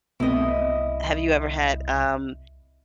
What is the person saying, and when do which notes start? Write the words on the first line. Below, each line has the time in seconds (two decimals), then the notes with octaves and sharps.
Have you ever had, um,
0.20 C2 B2 A3 C4 E4 D#5